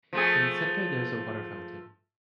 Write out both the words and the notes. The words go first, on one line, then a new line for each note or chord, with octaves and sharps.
In the center there is a water fountain.
F3 A3 G#4